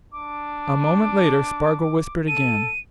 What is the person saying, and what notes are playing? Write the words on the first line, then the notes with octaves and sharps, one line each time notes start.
A moment later Spargo whispered again.
D4 D6
A4 D#7